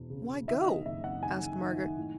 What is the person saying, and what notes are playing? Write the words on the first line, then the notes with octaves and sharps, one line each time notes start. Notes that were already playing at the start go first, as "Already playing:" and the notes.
"Why go?" asked Margaret.
Already playing: E1 E3
C#3
D#3 E5
D#5
F#1 E5
F#5
D#3 G#5
D#3
A2